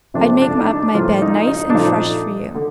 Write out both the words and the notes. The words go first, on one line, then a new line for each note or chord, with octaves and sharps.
I'd make up my bed nice and fresh for you.
C3 F3 A3 D4
D4
D#4
D4
A2 F3 A#3 F4
D#4
D#4
D4
A#2 F3 A3 D#4
D3